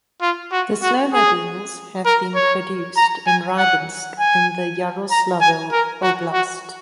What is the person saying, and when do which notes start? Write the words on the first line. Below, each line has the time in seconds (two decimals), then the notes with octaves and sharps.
The snowmobiles have been produced in Rybinsk in the Yaroslavl Oblast.
0.22 F4
0.52 F#4
0.82 F#4
1.13 G#4
2.05 A#4
2.35 C#5
2.97 A#5
3.27 G#5
3.57 F#5
4.19 G#5
5.11 A#5
5.41 G#5
5.72 A#4
6.02 F#4
6.33 F#4